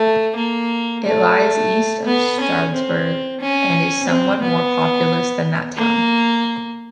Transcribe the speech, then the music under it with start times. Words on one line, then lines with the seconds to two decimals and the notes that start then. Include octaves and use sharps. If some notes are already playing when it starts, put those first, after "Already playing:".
It lies east of Stroudsburg and is somewhat more populous than that town.
Already playing: A3
0.36 A#3
1.04 A3
2.05 B3
2.40 C#4
2.73 C4
3.40 C#4
4.08 C4
4.42 B3
5.77 A#3